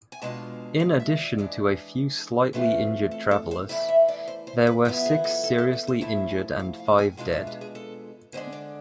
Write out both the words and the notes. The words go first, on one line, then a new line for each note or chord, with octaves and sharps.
In addition to a few slightly injured travelers, there were six seriously injured and five dead.
G#5
B2 G#3 D4 F4 A5
F5
E5
D5
E3 G#3 D4
E3 A3 C4 F4 B4
A4
A4
C5
E3 A3 E4 D5
E5
D5
C5
C5
B4
F3 B3 E4 A4
G#4
A4
A4
A4
B4
C5
F3 A3 E4 A5
G#5
F5
F5
G#5
B2 G#3 D4 F4 F5
E5
B4
G#4
A4
D3 G#3 D4 C5
D5